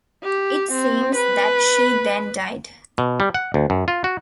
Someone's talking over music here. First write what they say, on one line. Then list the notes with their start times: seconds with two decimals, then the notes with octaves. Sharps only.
It seems that she then died.
0.24 G4
0.72 C4
1.15 B4
2.98 B2
3.20 G3
3.34 F#5
3.54 D2
3.70 F#2
3.88 F4
4.04 F#4